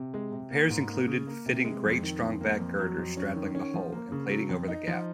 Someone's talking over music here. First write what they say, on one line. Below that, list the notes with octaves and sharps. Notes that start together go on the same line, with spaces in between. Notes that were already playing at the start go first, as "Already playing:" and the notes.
Repairs included fitting great strongback girders straddling the hole and plating over the gap.
Already playing: C3
G#3
C3
A#3
G#2
A#3
C#3
A#3
C3
G#3
F2
D#3
F2
A#3
F2
F#3
F2
C#4
D#3
C#4
F3
A#3
C#3
F#3
F2
D#4
F3